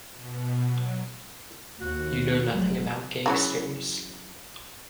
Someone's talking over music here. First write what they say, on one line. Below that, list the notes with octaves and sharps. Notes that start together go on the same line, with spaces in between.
You know nothing about gangsters.
B2
F#3
D#2 F#4
F1 F#3 G#3
C#3 E3 F#3